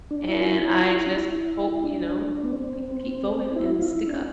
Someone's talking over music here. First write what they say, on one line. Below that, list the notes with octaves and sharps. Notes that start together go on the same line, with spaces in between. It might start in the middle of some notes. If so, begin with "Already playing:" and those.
and I just hope, you know, people keep voting and stick up.
D4
E4
F4
E4
E4
F4
E4
D4
E4
D4
B3
C4
E4
F4
E4
D4